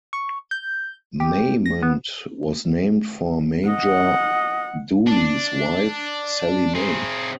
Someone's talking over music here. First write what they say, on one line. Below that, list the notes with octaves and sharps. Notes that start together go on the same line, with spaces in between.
Maymont was named for Major Dooley's wife, Sallie May.
C#6
G6
G4
A#6
B3
D#5 F#5
D4
C4 G#4